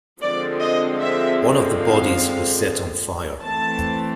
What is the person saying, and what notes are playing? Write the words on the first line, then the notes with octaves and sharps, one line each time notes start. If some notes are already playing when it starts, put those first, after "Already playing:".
One of the bodies was set on fire.
D3 F3 G#3 C4 D5
D#5
E5
F5
E3 A3 C4 A5